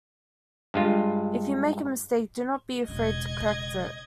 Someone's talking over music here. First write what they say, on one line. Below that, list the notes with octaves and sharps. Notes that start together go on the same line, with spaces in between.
If you make a mistake, do not be afraid to correct it.
G2 G#3 F4
E1 C#3 D#5 G#6